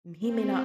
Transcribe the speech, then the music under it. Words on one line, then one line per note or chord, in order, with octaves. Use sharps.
he may not
C4